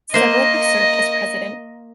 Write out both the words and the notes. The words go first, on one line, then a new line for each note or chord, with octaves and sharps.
Several have served as President.
A#3 C5 D#5